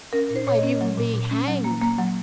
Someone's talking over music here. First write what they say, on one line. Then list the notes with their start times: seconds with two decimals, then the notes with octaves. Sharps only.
He might even be hanged.
0.13 C#4 A#4
0.30 A#2
0.36 C5
0.47 A#2 C#5
0.58 C#4 D#5
0.81 F#3
0.98 A#2
1.14 A#2
1.31 C#4
1.47 F#3
1.64 A#3
1.82 A#3
1.98 F#3